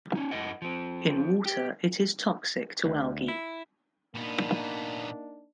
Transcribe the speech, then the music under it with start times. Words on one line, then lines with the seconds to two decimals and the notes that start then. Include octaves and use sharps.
In water, it is toxic to algae.
0.15 C#4 D#4
0.31 F#2 D#3 E4 B4 D#5 F#5
0.62 F3 C4
1.46 G4
2.86 D2
3.28 E4
4.15 A#2 A#3 B3 D4 D#4